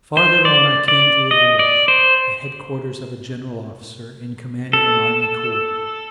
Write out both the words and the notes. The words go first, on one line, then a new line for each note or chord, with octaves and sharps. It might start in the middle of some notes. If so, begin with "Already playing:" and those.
Farther on I came to a village, the headquarters of a general officer in command of an army corps.
C5
D5
D5
D#5
D5
C5
A4